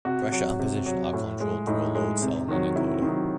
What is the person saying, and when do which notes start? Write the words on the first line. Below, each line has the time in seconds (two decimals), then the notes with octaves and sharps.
Pressure and position are controlled through a load cell and an encoder.
0.05 C3 F#4
0.32 F#3
0.59 C3
0.86 F#3
1.13 A2
1.40 G#3
1.67 A2 D#4
1.95 G#3
2.22 C3
2.48 D#3 F#3
2.76 C3 E4
3.02 D#3 F#3